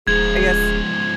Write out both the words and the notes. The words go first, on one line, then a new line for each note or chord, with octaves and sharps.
I guess
D#1 G#2 F3 G#4 G#6